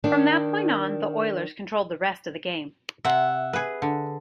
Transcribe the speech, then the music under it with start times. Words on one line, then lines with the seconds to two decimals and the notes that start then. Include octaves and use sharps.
From that point on, the Oilers controlled the rest of the game.
0.04 D#3 D4
3.05 C3 E5 F#5
3.53 G#4 B4
3.82 D3